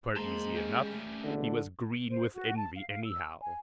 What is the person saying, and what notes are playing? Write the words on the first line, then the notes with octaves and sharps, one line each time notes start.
Twere easy enough; he was green with envy, anyhow.
G#3 A#3 C5 A5 A#5 C6
G3 C#4
A3
E1 D3
C5
F#4
A5
F5
F5
E6
G#5